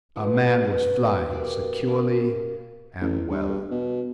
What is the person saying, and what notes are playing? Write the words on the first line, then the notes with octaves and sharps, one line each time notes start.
A man was flying securely and well.
F3 G#3 B3
C#4 B4 C#5 F#5
B2 A#3 G4 D5
A#3 C#4 G4
A1
G2
B2